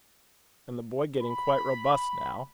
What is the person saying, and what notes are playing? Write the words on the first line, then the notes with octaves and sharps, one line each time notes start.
And the boy getting quite robust now!
B5